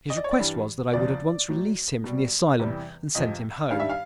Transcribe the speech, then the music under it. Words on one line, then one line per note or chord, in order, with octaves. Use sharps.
His request was that I would at once release him from the asylum and send him home.
D#5
D5
C#5
D5
G2 E3 G3
E2 C#3 F3 D5
A2 F#3
B2 G3
E2 C3 E3 G3
F2 C3 F3 D#5
G2 D#3 G3 F5
E5
F5